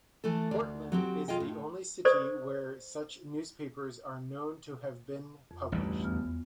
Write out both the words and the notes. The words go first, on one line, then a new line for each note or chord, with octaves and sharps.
Portland is the only city where such newspapers are known to have been published.
E3 A3 A4
D2 D5
F#3 C4 G4
F4 G#4 D#5 G5
A2
A4 C5 D5 C#6
F2
A1 D2 G3
E2 B3 F6